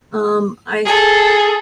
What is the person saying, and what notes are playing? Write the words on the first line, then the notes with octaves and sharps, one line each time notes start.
Um, I
G#4 A4